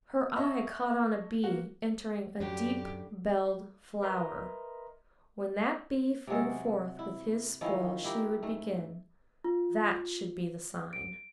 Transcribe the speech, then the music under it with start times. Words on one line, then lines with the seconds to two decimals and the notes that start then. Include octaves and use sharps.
Her eye caught on a bee entering a deep-belled flower: when that bee flew forth with his spoil she would begin--that should be the sign.
0.36 D#5 E5 A5 C#6 E6
1.44 A#3 F#4
2.40 F#2 A2 D3 F#3 G3 G4
4.03 A#4 B4 D#5 E5 A#5 C6
6.27 C3 F#3 G#3 A4
6.99 E4
7.61 D#3 F3 C#4 E4
8.04 E4 G4 A#4
8.43 G#2 A3
9.44 F4
10.93 D7